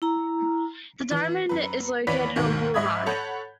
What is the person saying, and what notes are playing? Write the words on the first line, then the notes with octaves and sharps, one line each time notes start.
The Diamond is located on Boulevard.
E4 A#5
E3
F#2 B4
D#2 E3 B4 C#5 D5 B6
D#2 G#2 B2 D#3 A#3
G#2 D#5 E5 B5 D#6 G#6
A4 C#5 F#5 B5 G6